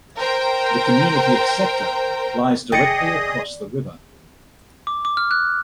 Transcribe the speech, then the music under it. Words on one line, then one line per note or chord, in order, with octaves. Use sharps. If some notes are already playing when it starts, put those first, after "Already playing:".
The community of Sector lies directly across the river.
A#4 C5 G5
F#1 G#4 D5 D#5 G5 D#6 C#7
D6
D6
F6
F#6